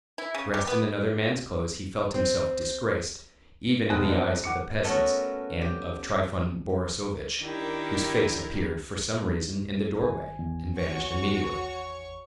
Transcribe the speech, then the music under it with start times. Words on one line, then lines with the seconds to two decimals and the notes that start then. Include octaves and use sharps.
Dressed in another man's clothes he felt himself disgraced, even in the eyes of the peasants, and of Trifon Borissovitch, whose face appeared, for some reason, in the doorway, and vanished immediately.
0.18 E4
0.34 C#3
0.54 G3
0.67 B3
2.14 C4
3.89 F1 B2 G#5 D#6 F#6
4.08 F3 C4 D4 D#4
4.44 F#5 D6 C#7
4.84 A3 B3 C#4 F#4 A4 A#4
5.61 G4
7.40 D#3 D4 E4 G4 A#4
10.01 G#1 G#5
10.39 E2
10.77 F#4 C#5 C#6